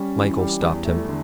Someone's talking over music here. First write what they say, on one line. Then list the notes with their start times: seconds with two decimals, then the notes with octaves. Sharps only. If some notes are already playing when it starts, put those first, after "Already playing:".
Michael stopped him.
Already playing: G3 C#4
0.16 E3
0.39 G3
0.62 E2
0.85 A3
1.08 D3